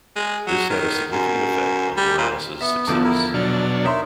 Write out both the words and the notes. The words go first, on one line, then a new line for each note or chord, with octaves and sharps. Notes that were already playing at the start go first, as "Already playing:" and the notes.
This had a significant effect on Morales' success.
G#3
F#3
D#3
F#2
G3
A#2
B3 E5
E2 D3 F3 D#4 D6
E4 A#4
B2 F#3 D4 F6
D#4 A#4 C#5 E5 C6